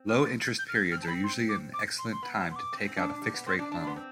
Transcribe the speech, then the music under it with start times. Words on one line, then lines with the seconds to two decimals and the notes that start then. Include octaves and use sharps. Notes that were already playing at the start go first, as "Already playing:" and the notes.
Low-interest periods are usually an excellent time to take out a fixed rate loan.
Already playing: C4
0.09 F6
0.25 A6
0.42 A6
0.59 G6
0.69 F6
0.75 G6
0.92 C4 F6
1.02 A5
1.08 C4 B5
1.24 C6
1.49 D6
1.74 D6
1.98 C6
2.12 C6
2.23 B3 B5
2.39 A5
2.51 C6
2.56 D6
2.73 C4
2.85 C4
2.97 D4
3.10 D4
3.22 G3
3.34 B3
3.46 C4 C6
3.59 D4
3.71 D4 A5
3.83 B5
3.87 B3 C6
3.96 C4